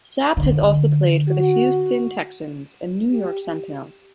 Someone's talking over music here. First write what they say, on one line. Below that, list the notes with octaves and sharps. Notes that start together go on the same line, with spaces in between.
Sapp has also played for the Houston Texans and New York Sentinels.
D3
F#4
G4